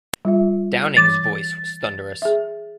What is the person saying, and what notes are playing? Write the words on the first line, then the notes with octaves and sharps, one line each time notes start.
Downing's voice was thunderous.
G3 F4 E5
E3 D6 A6
G#4 E5